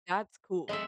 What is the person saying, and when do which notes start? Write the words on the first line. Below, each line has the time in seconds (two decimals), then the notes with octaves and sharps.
That's cool.
0.69 G#3 A4 D#5 E5